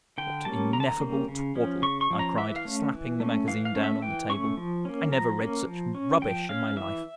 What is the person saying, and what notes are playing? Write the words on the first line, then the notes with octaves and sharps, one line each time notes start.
"What ineffable twaddle!" I cried, slapping the magazine down on the table, "I never read such rubbish in my life."
D3 G5
G3 A#3 C#4 A5
D3 A#5
A5
A#5
G3 A#3 C#4
C#3
F3 C#4
C#3 C#6
C#6
F3 C#4
A#5
E3 E5
F5
A3 C#4
E3
A3 C#4
E3 F5
F5
A3 C#4
E5
E3 G5
A3 C#4 C#6
F3
A#3 C#4
F3 A#5
A#3 C#4
F3
C#4
F3 G5
C#4 F5
E3 E5